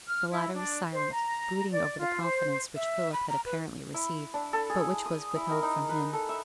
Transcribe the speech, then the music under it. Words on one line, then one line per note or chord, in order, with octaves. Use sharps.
The latter was silent, brooding over the confidence which Philip had apparently received, but which was withheld from him.
F6
E4
D4
C5
A#5
D5
F4
C5
E5
B5
A#5
B4
E4
D4
A4
G#4
D#6
E4
A#4
D#4
B4
A4
E5